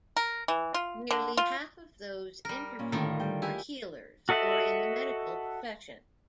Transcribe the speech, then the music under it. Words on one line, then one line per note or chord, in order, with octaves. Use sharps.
Nearly half of those interviewed were healers or in the medical profession.
A#4
E3
F4
D3
F4
G3 A#4
A#2 C#4
A2 D3 D#3 D4 F4
G3 G5
E4 G4 G#5
F#4 A4 D#5 E5 F#5